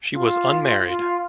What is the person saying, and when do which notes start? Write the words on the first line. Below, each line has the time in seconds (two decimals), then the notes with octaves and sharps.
She was unmarried.
0.12 F4
0.87 F4